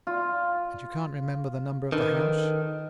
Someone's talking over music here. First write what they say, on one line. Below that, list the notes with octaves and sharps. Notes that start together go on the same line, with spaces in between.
"And you can't remember the number of the house?"
F4
D#3 D4 A4 B4